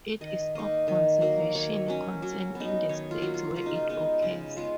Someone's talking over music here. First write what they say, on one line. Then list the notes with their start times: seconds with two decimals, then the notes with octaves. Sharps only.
It is of conservation concern in the states where it occurs.
0.21 D#3 D#5
0.55 A#3 D#4 D#5
0.88 D#3
1.21 F#3 A#3
1.55 D#3 C#5
1.88 F#3 C#4
2.22 F#3
2.55 B3 D#4
2.89 D#3 C#5
3.11 F4
3.22 F#3 A#3
3.34 F4
3.55 C#3 F4
3.66 D#4
3.75 F4
3.89 G#3 B3 D#4
4.22 C#3 D#4
4.56 G#3 B3 F4